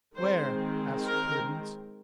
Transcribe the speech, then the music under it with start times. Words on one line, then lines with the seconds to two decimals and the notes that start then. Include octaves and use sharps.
"Where?" asked Prudence.
0.16 D#3 G#3 C4 C5
1.05 A#4